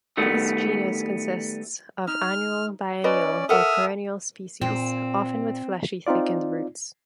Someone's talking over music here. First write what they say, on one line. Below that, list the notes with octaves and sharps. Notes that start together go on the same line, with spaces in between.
This genus consists of annual, biennial, or perennial species, often with fleshy, thickened roots.
D#3 G3 A3 B3
D#4 F6
C#4 B4 D5 D#5 A#5
A4 A#4 E5 F#5 D#6 F6
A#2 C4
C4 D#4 F4 D5